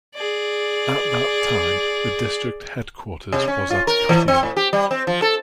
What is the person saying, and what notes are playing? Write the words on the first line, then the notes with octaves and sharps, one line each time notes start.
At that time, the district headquarters was at Kottayam.
G#4 D5
C3
C#4
F4
A#4
E3
C4
A2
G4
G3
C4
F3
A4